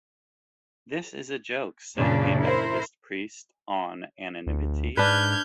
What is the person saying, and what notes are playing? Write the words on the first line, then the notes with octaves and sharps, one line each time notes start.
This is a joke, said a Methodist priest on anonymity.
F#2 A#2 C#3 D4
E4 A#4 C5
D2
G#2 D4 B4 F6 G6 G#6